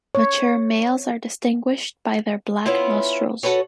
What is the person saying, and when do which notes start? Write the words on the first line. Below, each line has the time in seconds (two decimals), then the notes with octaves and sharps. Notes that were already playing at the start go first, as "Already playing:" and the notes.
Mature males are distinguished by their black nostrils.
0.15 C#5
2.66 B3 C#4 E4 F4
3.43 F#4 A4 B4 C#5